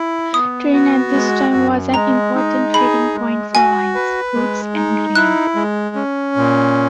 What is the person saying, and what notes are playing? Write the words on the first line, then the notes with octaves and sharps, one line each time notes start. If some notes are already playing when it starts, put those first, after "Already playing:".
Trani at this time was an important trading point for wines, fruits and grain.
Already playing: E4
B3 D#6
F#4
G#3
F#2
G#3 A#5
D#4
G#4 B5
G#3
F#4 G#5
B4
G#3
D#4
E4 F#6
G#3
C#4
A#2